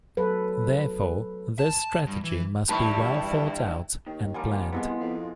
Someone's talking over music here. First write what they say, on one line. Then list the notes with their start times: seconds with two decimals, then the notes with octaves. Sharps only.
Therefore, this strategy must be well thought out and planned.
0.17 F#3 A4 B4
1.59 A5
2.07 G2
2.24 E3
2.69 G2 E3 G3 E4 A5 B5 C#6
4.07 D#2 D#3
4.34 F3 G3 A#3 F#5 G#5 A5
4.73 C2 B2 F3 G#3 B3 E4 G#4
5.00 F2 F5